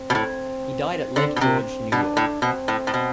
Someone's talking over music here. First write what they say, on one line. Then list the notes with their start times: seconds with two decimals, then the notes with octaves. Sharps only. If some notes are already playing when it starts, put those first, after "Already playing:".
He died at Lake George, New York.
Already playing: C4
0.10 B2
0.15 A2
0.90 C4
1.16 D3
1.36 B2
1.41 C3 C4
1.92 B2 D4
2.17 A2
2.42 B2 C4
2.68 A2
2.87 A2
2.94 B2